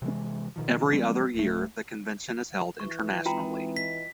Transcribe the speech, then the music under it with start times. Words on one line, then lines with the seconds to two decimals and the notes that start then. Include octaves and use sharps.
Every other year, the convention is held internationally.
0.02 C3 E3 G#3
0.56 B2 D#3 F3
0.92 E3 G3 A3 C4
1.35 D1 A3
2.80 E3 C#6
3.26 G#3 C4 D#4 F4 G5 A#5
3.77 D#5 B6